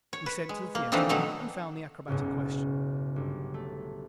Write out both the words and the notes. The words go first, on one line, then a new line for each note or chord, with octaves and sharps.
We sent to the theater and found the acrobat in question.
C#5
B4
G#3
A#3
E3 F3 A3 C4 D4 D#4
B2 D#3 F#3 A3 D#4
F#1 B1 G#2 C#3
G1
A3